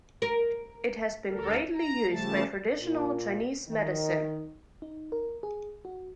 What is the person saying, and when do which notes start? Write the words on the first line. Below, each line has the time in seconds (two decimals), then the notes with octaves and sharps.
It has been greatly used by traditional Chinese medicine.
0.22 A#4
1.29 D2 A4 A#4
1.74 A#5
2.09 C#3 F3 G3 A3 A5
2.80 A#2
3.68 D#3
4.82 D#4
5.12 A#4
5.43 G#4
5.85 F#4